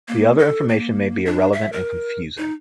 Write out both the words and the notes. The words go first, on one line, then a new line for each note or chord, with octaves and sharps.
The other information may be irrelevant and confusing.
A#3
A4
A#3
D4
E5
A#4
D#4